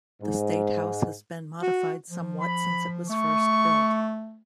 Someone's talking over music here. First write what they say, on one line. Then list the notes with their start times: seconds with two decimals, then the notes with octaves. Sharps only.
The State House has been modified somewhat since it was first built.
0.22 G#2
1.62 F#4
2.10 F3
2.41 B5
3.09 A3 C#6